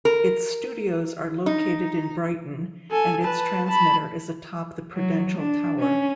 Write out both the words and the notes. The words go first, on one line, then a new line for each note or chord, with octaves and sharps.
Its studios are located in Brighton, and its transmitter is atop the Prudential Tower.
A#4
D#4
A4 G#5
B4 A5
A5 B5
F#3
D4
C#4